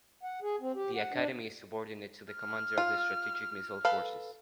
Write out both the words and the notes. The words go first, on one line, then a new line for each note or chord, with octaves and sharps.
The academy is subordinate to the Commander of the Strategic Missile Forces.
F#5
G#4
C4
G4
F#5
D4
F6
F4
A4 B4 F5